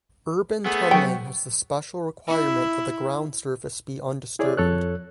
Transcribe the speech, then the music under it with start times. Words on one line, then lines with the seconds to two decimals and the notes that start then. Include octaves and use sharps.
Urban tunnelling has the special requirement that the ground surface be undisturbed.
0.65 A3 B3 G#4
0.91 F#3 C5 G5 C#7
2.28 E4
4.39 E4 G#4 C#5 D5
4.57 F2 A4 C#5 F#6